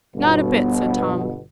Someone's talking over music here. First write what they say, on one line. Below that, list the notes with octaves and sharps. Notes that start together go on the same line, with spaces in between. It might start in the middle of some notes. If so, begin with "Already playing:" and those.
"Not a bit," said Tom.
G1 B2